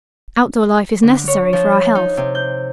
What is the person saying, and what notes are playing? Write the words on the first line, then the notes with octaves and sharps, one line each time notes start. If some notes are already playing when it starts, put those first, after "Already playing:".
Out-door life is necessary for our health.
D3
C#5
F3
D#4
C3
G6